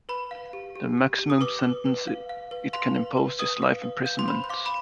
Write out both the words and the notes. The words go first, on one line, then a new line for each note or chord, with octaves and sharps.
The maximum sentence it can impose is life imprisonment.
B4 B5
F5
G4
G4
G4
G4
D#6
B4 D6
B4
B4
F5
F5
B4
F5 C6
B4
B4
B4 D#6
F5
B4
F5 G6
C6
C5 B5
C6
F5 D6
B5